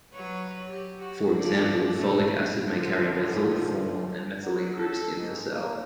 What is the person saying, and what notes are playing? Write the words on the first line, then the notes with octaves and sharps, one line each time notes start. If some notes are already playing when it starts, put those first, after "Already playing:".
For example, folic acid may carry methyl, formyl, and methylene groups in the cell.
F#3 B4 C#5
G4
F#4
E3 F3 D5
A#2 A3 C4
D3 D#3 F3
F#3
A4
G#2
A#3